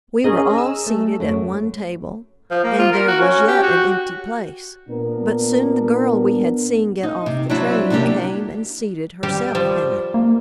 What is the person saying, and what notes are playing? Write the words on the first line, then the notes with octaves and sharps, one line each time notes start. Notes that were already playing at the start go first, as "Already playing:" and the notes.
We were all seated at one table, and there was yet an empty place; but soon the girl we had seen get off the train came and seated herself in it.
C#4 G#4 A#4 D#5
E6
A3
F#2
F3
A#3
F4
A#4
F#4
C#4
G4
F#4
A#2 B3 D4 A#4
D#4
C3
F#3 C4 D4 E4
C3 F#3 A#3 D4 F#4 G4
G3 G4
F3 G3
A#3